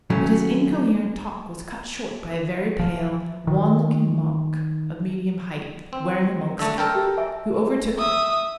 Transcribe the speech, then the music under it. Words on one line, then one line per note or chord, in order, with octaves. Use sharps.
But his incoherent talk was cut short by a very pale, wan-looking monk of medium height, wearing a monk's cap, who overtook them.
D#3 F#3 A3 C#4
F3
D#3
C4
D3 A3 E6
A4 A#4 G5
G4
E5 G#5 C#6
E5 D#6